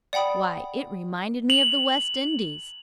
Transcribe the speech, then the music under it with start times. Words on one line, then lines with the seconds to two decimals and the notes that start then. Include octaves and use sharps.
Why, it reminded me of the West Indies.
0.13 D5 F#5 G5 B5 D#6
1.50 F7 F#7